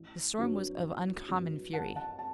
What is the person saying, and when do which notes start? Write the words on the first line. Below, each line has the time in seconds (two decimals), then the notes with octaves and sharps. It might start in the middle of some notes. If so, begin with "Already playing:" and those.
The storm was of uncommon fury.
Already playing: A1
0.38 G2 D3 F#3
0.83 A1
1.29 G2 D3 F#3
1.73 A1 F#5 A5
1.96 F#5 A5
2.19 A5